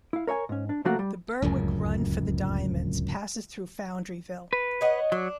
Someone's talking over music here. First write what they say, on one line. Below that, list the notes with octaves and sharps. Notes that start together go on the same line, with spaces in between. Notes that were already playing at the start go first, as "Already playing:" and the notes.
The Berwick Run for the Diamonds passes through Foundryville.
E4 F5
A#4 C#5 E5 G#5
G#2 C#4
D4
C2 F3 A3 A#3 F#4 A#4
G3
D1 C#2 F#2
B4
C#5 D#5 F#5
F#3 D4